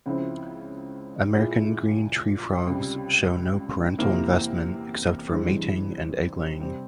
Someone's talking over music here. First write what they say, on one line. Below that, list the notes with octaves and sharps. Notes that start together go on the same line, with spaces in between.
American green tree frogs show no parental investment except for mating and egg-laying.
C#2 C#3 F3 C4 E4
A#2 G#3 E4
C#2 C3 G3
E2 C3 E3 A#3 E4
G2 E3 G#3 C4
C3 G3 C4